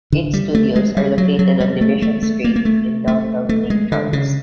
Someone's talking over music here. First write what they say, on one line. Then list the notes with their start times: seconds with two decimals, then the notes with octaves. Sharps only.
Its studios are located on Division Street in downtown Lake Charles.
0.12 D3
0.33 G3
0.55 A3
0.75 G#3
0.97 G3
1.18 F#3
1.39 F#3
1.60 G3
1.81 A3
2.02 A3
2.23 A3
2.44 A#3
2.56 A#3
2.65 A3
3.08 A3
3.49 A3
3.70 G#3
3.92 D3
4.13 C#3